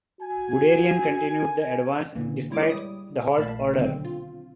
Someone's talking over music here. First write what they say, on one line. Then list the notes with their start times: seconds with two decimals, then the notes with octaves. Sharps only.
Guderian continued the advance, despite the halt order.
0.21 F#4 G#5
2.15 A#2 D3 E3 A#3
2.50 G3 G#3 E4 C#5 D6 D7
2.69 G3 D#6
3.37 A#1 A#2 A3 F5 A5 B5
3.76 B2 D3 D#3 F#3 C4
4.05 F4